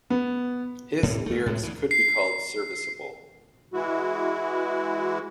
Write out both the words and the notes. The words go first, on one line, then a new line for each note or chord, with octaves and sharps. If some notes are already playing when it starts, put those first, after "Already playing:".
His lyrics could be called serviceable.
B3
A2 C3 E3
D2 A3
A2 C3 G#3
D2 E3
C7
E3 G#3 E4 F#4